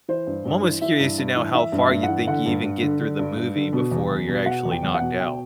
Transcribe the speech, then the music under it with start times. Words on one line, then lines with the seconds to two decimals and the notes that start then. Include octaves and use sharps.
I'm almost curious to know how far you think you even get through the movie before you're actually knocked out.
0.08 E3 C5
0.27 G2
0.45 G2
0.63 E3
0.81 E3 E5
0.99 G2
1.18 G2
1.36 E3
1.54 E3 E5
1.72 G2
1.78 E5
1.91 G2
2.03 F#5
2.09 E3
2.27 D3 F#5
2.46 G2
2.64 G2
2.83 D3
3.00 D3
3.19 G2
3.37 G2
3.56 D3
3.73 B2
3.91 E2
4.10 E2
4.28 B2
4.46 B2 F#5
4.65 E2
4.71 G5
4.83 E2
4.95 F#5
5.01 B2
5.19 B2 G5